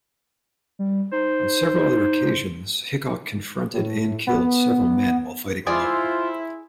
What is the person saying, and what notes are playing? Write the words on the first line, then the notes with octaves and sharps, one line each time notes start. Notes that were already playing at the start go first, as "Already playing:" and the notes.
On several other occasions, Hickok confronted and killed several men while fighting alone.
G3
D#4 C5
A2
B3
G#3 E4 F4 G#4 C5 D5